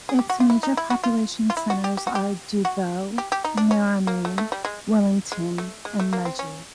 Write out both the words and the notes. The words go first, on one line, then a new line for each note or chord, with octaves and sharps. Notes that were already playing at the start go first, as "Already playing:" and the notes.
Its major population centres are Dubbo, Narromine, Wellington and Mudgee.
G#4
G4
F#4
F4
E4
D#4
E4
F#4
F4
F4
E4
F#4
G4
G4
F#4
G4
F#4
G4
G4
D#4
D4
C#4
A#3
A3
A3
G3
G#3
G#3
A3
G#3
A3
A#3
C4
C#4